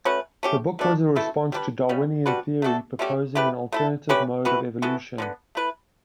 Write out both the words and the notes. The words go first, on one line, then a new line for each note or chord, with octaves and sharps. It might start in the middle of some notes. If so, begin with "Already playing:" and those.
The book was a response to Darwinian theory, proposing an alternative mode of evolution.
A3 C#4 F#4 B4
A3 C#4 G4
B2 A3 D4
B2 A3 E4 A4
G3 D4 G4 B4
C#3 G3 C#4
G3 D4 F#4 B4
A3 D4 F#4 A4
D3 A3 C#4 G4
A3 E4 G4 B4
A3 E4 A4
A3 C#4 G4 B4
E3 B3 F#4 B4
E3 B3 F#4 A4
D3 G3 B3
A3 E4 B4